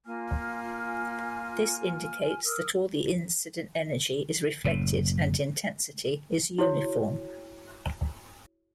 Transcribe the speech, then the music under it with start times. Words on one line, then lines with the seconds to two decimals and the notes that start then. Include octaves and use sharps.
This indicates that all the incident energy is reflected and intensity is uniform.
0.06 A#3 F4 G#5 F6
2.45 A#4 D#6 E6
4.64 F#1 A2
6.58 E4 F#4 G#4 C#5